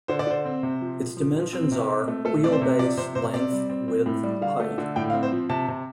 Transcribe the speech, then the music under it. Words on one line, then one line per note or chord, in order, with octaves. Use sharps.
Its dimensions are: wheelbase, length, width, height.
D3 C5
D5
D3 C5
C4
C3
F3
F3
F3
F3
C4
C3
C4
A3
A3 A4
C4 D5
C5
C3
F3 D5
C3 C5
C3 C5
C4 D5
G3
C4
C4
A2
G3
D3 F5
A3
D3
A2 G5
F5
C4
C5
F3
C3 A5
C3